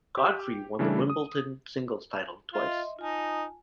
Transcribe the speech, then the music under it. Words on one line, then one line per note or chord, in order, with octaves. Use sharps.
Godfree won the Wimbledon singles title twice.
G4
C#3 E3 G3 A3 D4 E4
D#6
F4 D#5 E5 C6
D#4 F4 G#5 A5